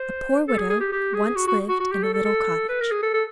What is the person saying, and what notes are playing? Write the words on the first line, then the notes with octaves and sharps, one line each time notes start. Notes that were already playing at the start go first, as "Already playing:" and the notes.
A poor widow once lived in a little cottage.
Already playing: C5
A4
G#4
G#4
G4
G4
G#4
F#4
F#4
F#4
F#4
G4
A4
A4
A4
B4
A#4
G#4
A4
A4